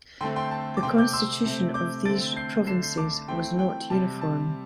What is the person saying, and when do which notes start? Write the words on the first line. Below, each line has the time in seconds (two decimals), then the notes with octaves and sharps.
The constitution of these provinces was not uniform.
0.21 D3 G5 C6
0.23 A3 C4
0.36 G5 C6
0.51 A5
0.77 D6
0.83 C3 A3 C4 G5 C6
0.98 D6 G6
1.13 C6 E6
1.44 C3 A3 C4
1.74 D6 G6
2.05 D3 A3 C4 A6 D7
2.36 G6 C7
2.67 D3 A3 D4 C7 E7
2.82 G6 C7
2.97 A5 D6
3.28 E3 A3 C4 G5 C6
3.59 G5
3.90 C3 G3 C4 A5
4.21 A5